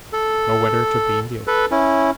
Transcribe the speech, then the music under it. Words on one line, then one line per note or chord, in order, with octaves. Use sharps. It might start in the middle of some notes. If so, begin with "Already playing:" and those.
No weather to be in the open.
A4
A4 B4
C#4 E4